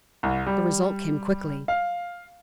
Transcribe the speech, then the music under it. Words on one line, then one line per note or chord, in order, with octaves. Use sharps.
The result came quickly.
C2
G3
F5